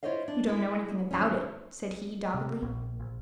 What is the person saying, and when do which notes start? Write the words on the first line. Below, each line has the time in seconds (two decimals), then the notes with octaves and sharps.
"You don't know anything about it," said he doggedly.
0.03 E4 F4 C5 C#5 D#5 F5
0.28 D4
0.46 G#3 E4
1.11 D#2 E3 F3 G3 C#4
2.34 C3
2.62 A#1
3.00 A#1